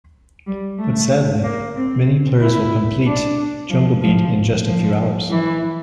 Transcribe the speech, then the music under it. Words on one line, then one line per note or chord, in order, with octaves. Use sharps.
But sadly, many players will complete "Jungle Beat" in just a few hours.
G3
A3
A#3
C4
E4
D4
F3
F3
F3
E3